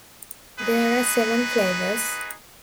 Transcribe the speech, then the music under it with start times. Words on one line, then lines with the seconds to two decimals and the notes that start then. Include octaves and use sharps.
There are seven flavours.
0.59 D#4 F#4 G#4 B4